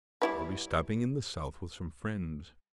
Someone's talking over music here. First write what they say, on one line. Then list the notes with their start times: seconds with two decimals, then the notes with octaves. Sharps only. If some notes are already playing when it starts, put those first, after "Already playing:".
I'll be stopping in the south with some friends.
0.22 G3 E4 B4